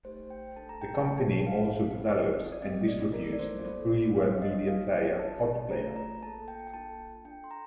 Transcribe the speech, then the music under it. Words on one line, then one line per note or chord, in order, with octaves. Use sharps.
The company also develops and distributes the freeware media player PotPlayer.
A3 D#4 G4 C5
G5
A3 D4 A4 A5
A#5
G5
A5
A3 D4 G4
A5
F5
A#3 F4 A4
C4 D#4 A4 D#5
D5
C4 G4 D#5
D5
A3 D#4 A4 A#4
D5
C5
A#3 F4 A4 D5
C4 G4 F5
D#5
A#3 D#4 G4 F5
D4 G4 A5
A3 D4 F4 A#5
A#5
A#3 F4 A4 A5
G5
G5
A#3 D4 F4 A4 A5
D4 A4 G5
C6
A#5